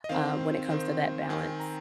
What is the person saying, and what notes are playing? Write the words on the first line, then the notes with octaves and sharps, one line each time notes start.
um, when it comes to that balance?
D#5
D#3 C4 F5
D#3 C4
D#3 C4 G#5
A#5